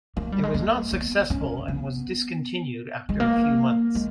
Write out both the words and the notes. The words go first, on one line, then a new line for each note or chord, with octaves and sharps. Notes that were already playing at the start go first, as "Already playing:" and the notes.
It was not successful and was discontinued after a few months.
A#3
G3
G#3
A#3
B3
C#4
B3
G#3
A#3
G#3